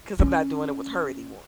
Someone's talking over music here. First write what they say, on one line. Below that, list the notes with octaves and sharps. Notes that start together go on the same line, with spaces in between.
'cause I'm not doing it with her anymore,
C#4